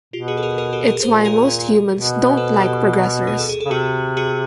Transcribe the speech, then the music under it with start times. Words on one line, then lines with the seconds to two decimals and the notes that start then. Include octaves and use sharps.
It's why most humans don't like progressors.
0.13 B2 F4 G4
0.28 F#4 G#4
0.37 A4
0.43 G#4 A#4
0.58 G#4 A#4
0.73 G4 A4
0.87 G#4 A#4
1.03 A#2 A#4 C5
1.25 G#4 A#4
1.93 B2
2.26 C5
2.37 A4 B4
2.60 G4 A4
3.27 G#4
3.38 A4
3.49 G#4
3.60 C#3 A4
3.71 C3 F#4 G#4
4.17 F#4 G#4